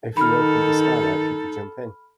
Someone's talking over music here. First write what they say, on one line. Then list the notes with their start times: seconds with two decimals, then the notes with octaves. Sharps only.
If you opened the skylight, he could jump in.
0.17 D#3 D#4 A4 B5 F6